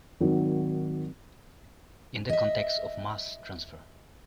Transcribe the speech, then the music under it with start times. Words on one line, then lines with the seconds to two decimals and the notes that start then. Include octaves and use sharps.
In the context of mass transfer.
0.20 G#1 D#3 F#3
2.29 D#5 E5